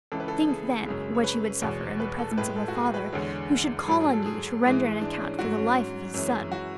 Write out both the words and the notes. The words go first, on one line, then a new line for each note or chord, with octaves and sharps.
Think, then, what you would suffer in the presence of a father who should call on you to render an account for the life of his son!
C#2 C#3 E3 A4
B4
A4
G#4
F#2 C#3 G#3
C#5
B4
E2 B2 G#3 C#5
B4
A4
A4
A2 G#3 B4
A4
F#4
G#4
B4
E2 D3 G#3 C#5
G#4
G#2 F#3 A4
G#4
A4
G#4
G#2 E3 G#3
D4
C#4
G#2 F#3 F#4
C#4
F#2 E3 G#3 C#4
F#4